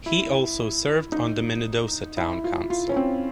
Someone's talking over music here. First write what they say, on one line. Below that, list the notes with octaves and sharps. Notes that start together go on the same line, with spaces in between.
He also served on the Minnedosa town council.
E4
D#4
E4
F4
F4
C#4
C4